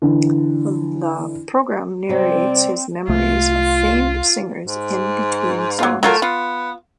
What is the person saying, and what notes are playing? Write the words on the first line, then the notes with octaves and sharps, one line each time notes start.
The program narrates his memories of famed singers in between songs.
D3 E3
C3 G3 C4 D5
C2 A3 F4
G#2
F#3 F4
F#3 A3 F4 A#4
B3 F4